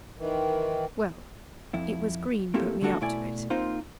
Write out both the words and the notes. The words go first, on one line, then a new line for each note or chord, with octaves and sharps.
Well;--it was Green put me up to it.
D#3 E3
F2 E4
A3 A#3 C4 E4 G4 A4
D3 F#3 A3 D4 F#4 A4
B2 A3 E4 D5 G#5
A#3 C4 D#4 F4 C5